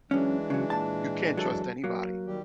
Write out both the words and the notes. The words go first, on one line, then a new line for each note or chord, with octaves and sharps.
you can't trust anybody,
F#2 E3 G#3 C#4 D4
C#3 F#3
A#2 A5
F#3 A4
F#3 A#3
D#3 G3 G4